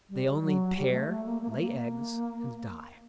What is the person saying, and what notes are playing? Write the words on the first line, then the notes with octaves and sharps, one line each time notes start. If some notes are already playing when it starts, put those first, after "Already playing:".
They only pair, lay eggs, and die.
G3
G3
F#3
G3
A3
A3
A#3
A#3
A3
A#3